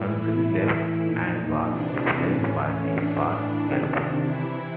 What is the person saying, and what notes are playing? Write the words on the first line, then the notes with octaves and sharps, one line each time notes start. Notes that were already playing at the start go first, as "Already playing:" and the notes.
Ansley left and was replaced by Pat Calpin.
Already playing: A2 E3 E4
A2 E3
A#2 D#4
C3 E3 D4
A2 E3 C#4
A2 E3 D4
C3 D#3
C3 E3 E4